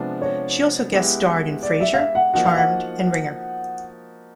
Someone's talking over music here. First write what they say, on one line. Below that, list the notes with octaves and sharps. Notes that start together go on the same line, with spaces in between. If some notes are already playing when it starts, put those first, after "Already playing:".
She also guest-starred in "Frasier", "Charmed", and "Ringer".
Already playing: C3 F3 G#3 B3 D4
C#5
G#3 B3 E4 G4
D5
E5
F5
E5
F#5
F3 A#3 D#4 F#4 F#5
F5
F#5